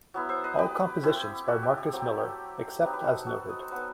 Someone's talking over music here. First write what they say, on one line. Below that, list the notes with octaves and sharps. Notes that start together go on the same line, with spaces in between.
All compositions by Marcus Miller, except as noted.
F#3 B3 E4
C5 E5
B4 D#5
G4 B4
A3 C4 E4
F#4 A4
G4
G4
F#3 A3 C4
F#3 C4 D#4 G4 B4
B4
F#4 A4
F#4 A4
D#5
C5
F#3 B3 D#4 B4